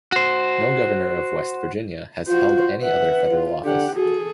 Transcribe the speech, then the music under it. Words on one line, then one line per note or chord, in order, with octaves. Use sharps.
No governor of West Virginia has held any other federal office.
F#4 C5
F4 F#4 C5
B4 E5 F#5
F4
D3 G4 F#5
F#4 G#4 A4